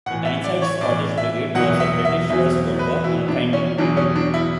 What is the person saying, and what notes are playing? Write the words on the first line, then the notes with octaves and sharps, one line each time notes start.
The Tyneside Scottish Brigade was a British First World War infantry brigade.
A2 E3 F#5
E5
D5
C#5
A2 E3 D5
E5
E2 B2 F#3 F#5
E5
E5
E2 B2 F#3 E5
B4
E2 B2 F#3 E4
D4
C#4
E2 B2 F#3 D4
C#4
D4
E4